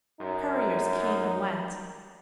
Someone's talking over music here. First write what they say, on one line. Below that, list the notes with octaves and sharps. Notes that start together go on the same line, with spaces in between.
Couriers came and went.
F#2 D#4